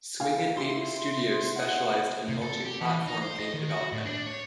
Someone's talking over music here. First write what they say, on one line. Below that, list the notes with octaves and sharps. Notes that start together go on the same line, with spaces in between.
Swingin' Ape Studios specialized in multi-platform game development.
G#4 F5 G#5
E4 F4 G4 C6
F#5
C3
A4
G4
E3
D#4
C5
D#5
D#3
F#4
A2
D4
C#5